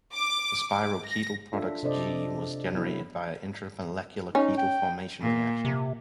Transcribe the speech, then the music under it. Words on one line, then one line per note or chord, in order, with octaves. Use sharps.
The spiroketal product G was generated via intramolecular ketal formation reaction.
D6
D6
A#6
D4 F4 A4 E5
C3 D4 A4 C5 D5 D#5
F#3 B3 E4
C#4 D#4
G5
A#2
C3